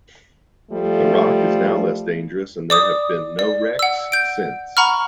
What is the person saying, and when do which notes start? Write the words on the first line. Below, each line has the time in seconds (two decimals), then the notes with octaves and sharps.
The rock is now less dangerous and there have been no wrecks since.
0.71 F3 G3 A3
2.70 D5 D6 D#6
3.39 D5
3.79 F#5 E6
4.12 G6 D7
4.77 F#5 A#5 B5 C#6 F6